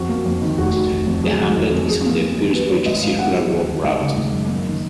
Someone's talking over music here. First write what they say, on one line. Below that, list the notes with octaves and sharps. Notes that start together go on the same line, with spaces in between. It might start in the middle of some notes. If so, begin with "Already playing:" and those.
The hamlet is on the Piercebridge Circular Walk route.
Already playing: F2 F#4
A#3
F2
D#3
F1 F#4
D#3
F1
F2
F#3 G#4
D#3
F1
F2
F2 G#4
A#3
F2
D#3
A#3 B4
D#3 C#5
G#1 D#5
G#2 F5
B3 F#5
F#3
D#2
D#3
G#1 D#5
C#3
G#1
F#2
A#3
D#3